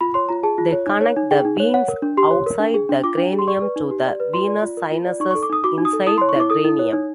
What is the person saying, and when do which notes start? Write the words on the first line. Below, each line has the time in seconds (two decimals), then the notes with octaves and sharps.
They connect the veins outside the cranium to the venous sinuses inside the cranium.
0.01 F4 B5
0.14 C#5 C6
0.29 F4 A#5
0.43 G#4 A5
0.58 F4
0.72 C#5
0.87 D#4
1.01 C#5
1.16 D#4
1.31 G#4 G5
1.45 D#4
1.60 C#5
1.74 C#5 F#5
1.88 A#4
2.02 D4
2.17 G4 C6
2.31 C#5
2.46 A#4
2.60 D4
2.74 G#4
2.89 D4
3.04 F4 D6
3.17 D4
3.33 G#4
3.39 C6
3.48 D5 C#6
3.62 B4
3.76 D#4
3.91 G4
4.05 D5
4.20 B4
4.33 F4 C6
4.48 D5
4.63 F4
4.77 A#4
4.92 F4
5.06 D5
5.20 D#4 C#6
5.31 C#6
5.35 A4
5.43 D6
5.50 D#4 D#6
5.64 F#4 D6
5.78 D#4
5.85 D#6
5.93 A4
6.07 E4 D#6
6.18 C6
6.21 C#5
6.29 C#6
6.36 E4 D6
6.50 A4 D#6
6.65 E4
6.79 C#5
6.93 D#4